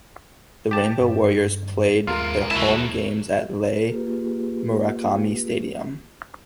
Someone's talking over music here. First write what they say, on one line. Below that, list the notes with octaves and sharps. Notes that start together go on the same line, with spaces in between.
The Rainbow Warriors played their home games at Les Murakami Stadium.
G4 A5
G2
D#2 G#3 F4 A#4
D#2 E4 F#4 A5
A#3 F4 G4 G#4 B4